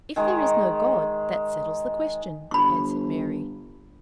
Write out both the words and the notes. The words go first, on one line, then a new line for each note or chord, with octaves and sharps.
"If there is no God, that settles the question," answered Mary.
D#3 G#3
G1 B5 C#6